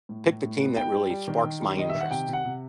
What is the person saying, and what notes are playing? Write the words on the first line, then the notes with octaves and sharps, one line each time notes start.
pick the team that really sparks my interest."
A2
A2
A2
B3
D#4 G5
G3
G3
D#3
D#3
G3
D#3 D#5
E5
D#3
F#5
C3 G5
C3
F#5
C3